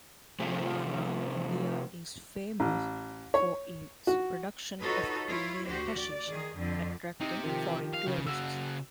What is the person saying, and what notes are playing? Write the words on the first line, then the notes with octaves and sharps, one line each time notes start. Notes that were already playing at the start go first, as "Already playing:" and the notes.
Malana, India is famous for its production of Indian hashish, attracting foreign tourists.
C3 F3 A3 C4 G#4
A1
C#5
F#4
D#4 F4 F#4 A4 B4 C#5
E4 F4 C#5
D2 F#4 G4 C5
D5
D#3 G#4
F2 D3
C3 C4 D#4
D#3 F3 G4
F5
C#3
C#3 F#4 E6